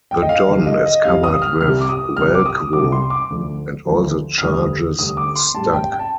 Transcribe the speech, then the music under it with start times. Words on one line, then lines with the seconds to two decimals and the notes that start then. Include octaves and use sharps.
The don is covered with Velcro, and all the charges stuck.
0.11 G5
0.22 D#5
0.29 F5
0.48 D#2 D3 G3 F5
0.66 D#5
0.86 D#5
1.04 C2 C3 G3 F5
1.24 D#6
1.42 F6
1.61 C2 C3 G3 F6
1.81 D6
1.89 D#6
2.17 C2 C3 G3 F6
2.35 D6
2.46 D#6
2.73 C2 C3 G3 D6
2.92 C6
3.10 D6
3.30 D2 D3 F3
3.86 D2 D3 F3
4.38 F6
4.42 D2 D3 G3 D#6
4.99 D2 D3 G3 D#6
5.17 D6
5.36 C6
5.54 A2 G3 A5
5.73 G5
5.92 G5
5.99 A5